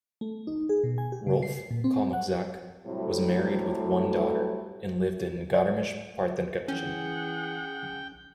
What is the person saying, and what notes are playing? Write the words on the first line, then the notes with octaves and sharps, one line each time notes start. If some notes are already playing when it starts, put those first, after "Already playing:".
Rolf Kalmuczak was married with one daughter and lived in Garmisch-Partenkirchen.
A3
D#4
G#4
B2
G#5
G4
C#3
C7
A#2
C4
F#5
A2 C3 F#3 G3 A3
D5
E3 C#4 G#4 F#5 G5